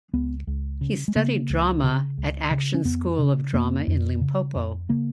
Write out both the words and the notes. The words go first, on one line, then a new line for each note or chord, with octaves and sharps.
He studied drama at Action School of Drama in Limpopo.
C#2 B3
C#2
C#3
G#3
C#3 A#3
C#2
C#3
C#2
C#3
C#4
F2 B3
C#3
F2 A#3
F2
C#3
F2
C#3 A#3